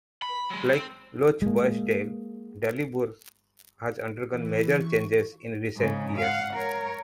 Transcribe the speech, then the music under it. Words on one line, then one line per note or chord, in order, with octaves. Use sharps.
Like Lochboisdale, Daliburgh has undergone major changes in recent years.
B5
F#3 G#3
C4
G#3 A#3
E3
C#6
G#2 C#3
F5 F#5
A#4 C#5